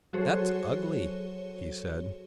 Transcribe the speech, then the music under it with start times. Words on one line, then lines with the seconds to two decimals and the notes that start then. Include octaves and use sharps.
"That's ugly," he said.
0.13 F#3 F#4 G#4 A4 C5 C#5